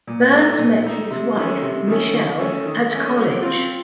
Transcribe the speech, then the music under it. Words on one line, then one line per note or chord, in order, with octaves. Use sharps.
Burns met his wife, Michelle, at college.
A#2
A3 D#4
A#2
A3 D#4
C3
D#3 A3 C#4
C3
D#3 A3 C#4
D#3
A3 C#4
D#3
A3 C#4
F#3
C4 F4